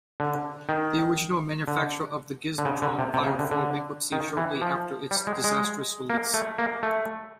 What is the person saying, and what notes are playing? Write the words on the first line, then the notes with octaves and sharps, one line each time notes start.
The original manufacturer of the Gizmotron filed for bankruptcy shortly after its disastrous release.
D3
D#3
D3
D3
C#3
D3
C3
C3
C#3
D3
D3
D#3
E3
F3
G3
G#3
G#3
A#3
A3
A#3
A3